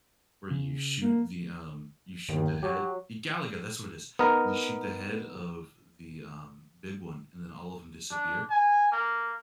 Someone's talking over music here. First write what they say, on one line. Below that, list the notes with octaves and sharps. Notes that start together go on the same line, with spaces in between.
where you shoot the um, you shoot the head y Galaga, that's what it is. You shoot the head of the, um, big one, and then all of ‘em disappear.
C#3
A#3
G1 D#2 D#3
F#3 G4
B3 D#4 A#4
D4
G#5
A#3